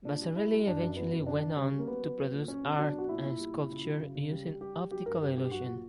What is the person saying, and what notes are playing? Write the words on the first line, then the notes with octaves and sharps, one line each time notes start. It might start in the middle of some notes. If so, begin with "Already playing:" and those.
Vasarely eventually went on to produce art and sculpture using optical illusion.
A#2 D4
G3
G3 E4
G3
F#2 D4
F#2
E3 B3
F#2
D3 D4
D3
G3 C#4
G3
A#3
F#3 B3
F#3
F#3
A#2
F#3 C#4
B2
F#3 D4
B2 F#4
A#2 E4
A#2
G3
A#2
C#3
F#3
C#3
C#3
G3
G3
G3 G4
G3
F#3 G4
G2 A#4
G2 G4
G2 G4
F#3 F#4
A#2